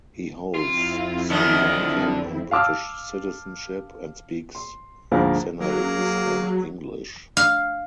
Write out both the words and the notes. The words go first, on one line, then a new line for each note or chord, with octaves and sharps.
He holds Sri Lankan and British citizenship, and speaks Sinhalese and English.
F2 C4 E4 F4
F#2 D3 D#3 F3 D4
F5 A5 D6 E6 F6
C6
D2 G#2 F3 G#3 A#3
F#3 A#3 G#4
F5